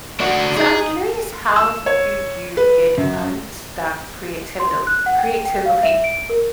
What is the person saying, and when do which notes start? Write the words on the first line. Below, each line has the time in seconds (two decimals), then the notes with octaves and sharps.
So I'm curious how do you get unstuck creatively- creatively
0.20 D4 F#4
0.57 D#4 G#4
1.56 E6
1.86 C#5
2.57 B4
2.97 F#2
4.60 C6
4.87 F#6
5.06 F#5
5.19 G5
5.45 G5
5.66 F5
5.83 E5
6.04 D7
6.30 A#4